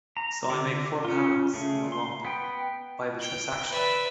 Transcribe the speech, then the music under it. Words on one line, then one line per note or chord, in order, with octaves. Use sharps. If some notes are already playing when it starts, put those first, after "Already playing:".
So I make four pounds — in a lump — by the transaction!
A#5
D3 D5
C#4 F4
C#3 A3
C6
B3 G5
G5
B4 D5 E5